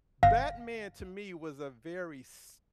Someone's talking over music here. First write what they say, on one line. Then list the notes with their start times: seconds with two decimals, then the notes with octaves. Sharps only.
Batman to me was a very s
0.23 G1 F5 A#6